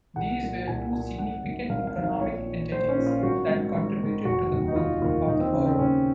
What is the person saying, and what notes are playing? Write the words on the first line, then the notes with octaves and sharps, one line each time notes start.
These were two significant economic entities that contributed to the growth of the Borough.
C2 F#5
A#2
C2 G#5
A#2 G#5
G#1 F#5
F#2 D#3
G#1 F5
F5
F#2 D#3
F5
A#1 C#5
A#2
A#1 C5
C#4
A#2
F4
G#1 F#4
G#2 D#3
G#1
G#2 D#3
F1 F#4
D#2 D#3
D#4
F1 F4
D#2 D#3 F4
D#2 D#4
C4
C#3 C#4
C4
D#2 C#4